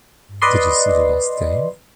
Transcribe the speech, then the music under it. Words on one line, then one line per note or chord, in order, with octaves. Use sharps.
Did you see the last game?
B4 D5 D#5 C6